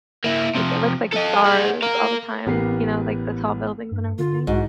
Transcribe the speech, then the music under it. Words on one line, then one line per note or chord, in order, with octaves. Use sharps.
like, it looks like stars all the time, you know, like the tall buildings and everything,
A#3 E4
C3 F3
A4 D#5
G#4 F#5
A#4 F5
A1 B3 G4 A#4 C7
G2
D3 F4
B1 G#2 F#4